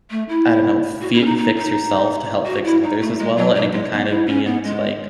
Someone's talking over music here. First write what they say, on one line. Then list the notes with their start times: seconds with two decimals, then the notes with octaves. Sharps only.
I don't know, f fi fix yourself to help fix others as well, and it can kind of be into, like,
0.11 A3
0.29 E4
1.01 F#4
1.14 E4
1.21 C#4
1.25 D#4
1.37 D#4
1.56 D#4
2.46 F#4
2.64 E4
2.83 D#4
3.00 A3
3.19 G#3
3.37 F#3
3.55 F#3
3.73 G#3
3.91 B3
4.10 E4
4.27 C#4
4.45 B3
4.64 G#3